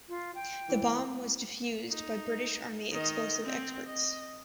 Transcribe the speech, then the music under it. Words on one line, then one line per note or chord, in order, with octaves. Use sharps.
The bomb was defused by British Army explosive experts.
F4
G5
E3
D#4
D#3 D#5
C4
D#5